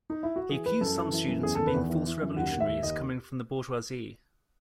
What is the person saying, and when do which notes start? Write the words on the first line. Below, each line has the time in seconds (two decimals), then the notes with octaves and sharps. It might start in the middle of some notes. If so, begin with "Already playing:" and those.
He accused some students of being "false revolutionaries" coming from the bourgeoisie.
0.10 D#4
0.23 E4
0.36 F#4
0.49 E3 G#4
0.66 E3 B4
0.81 F#2 A4
0.97 E3
1.12 E3
1.28 F#2
1.43 E2 G#4
1.55 D#3 A4
1.67 B4
1.74 E2
1.89 E3
2.05 E3
2.22 F#2
2.36 D#2 F#5
2.52 D#3
2.60 E5
2.67 D#2
2.83 D#2 D#5